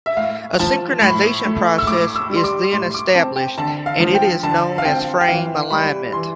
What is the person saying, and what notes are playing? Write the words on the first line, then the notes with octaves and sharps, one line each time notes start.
A synchronization process is then established, and it is known as frame alignment.
E5
A2 F5
F3 A5
A2 B5
A3
E6
A2 D6
E6
G3
C6
D6
A2 C6
D6
C4 A5
G5
D3 A5
F5
F3
G5
D3 A5
F5
C4 G5
G5
E3 F5
G3 B5
E3 C6